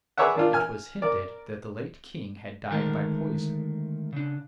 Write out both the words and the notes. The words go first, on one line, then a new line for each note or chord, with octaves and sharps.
It was hinted that the late King had died by poison.
G#4 B4 C#5 D5 E5 F#5
D#3 D4 F4
G#5 F6
A#4 D5
D2 D#3 G#3 A3 A#4 A5
C#3 D4